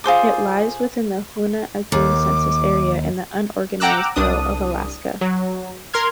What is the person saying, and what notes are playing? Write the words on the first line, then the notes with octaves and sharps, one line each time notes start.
It lies within the Hoonah-Angoon Census Area, in the Unorganized Borough of Alaska.
F4 G#4 C5 D6
D#2 D6
F#5 G5 A#5 D6 E6 F#6
C2 D4 D#6
F#3
A#4 C6 F6 G#6